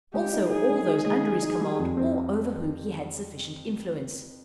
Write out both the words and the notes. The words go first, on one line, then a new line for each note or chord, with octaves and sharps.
Also all those under his command, or over whom he had sufficient influence.
G#3 G4
D#4
D#4 G#4
G#3
D#3
G#3
G#3
D#4
G3
F2
C4